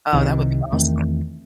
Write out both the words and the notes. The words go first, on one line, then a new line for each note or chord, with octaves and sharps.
oh, that would be awesome.
C2 C3 D#3
E2 D#3 A3 C4